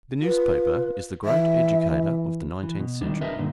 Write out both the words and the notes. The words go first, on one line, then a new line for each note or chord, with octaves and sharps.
The newspaper is the great educator of the nineteenth century.
F4 B4
E3 E5
E3
B2
D#3 G3 D4
D4 A#4 B4 D#5 E5
G2 A#2 D3 D#3